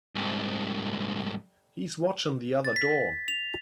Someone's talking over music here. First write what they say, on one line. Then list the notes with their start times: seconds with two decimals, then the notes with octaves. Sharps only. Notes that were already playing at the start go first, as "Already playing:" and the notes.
He's watching the other door.
0.16 C2 G#2
2.64 A6
2.76 B6
3.28 F7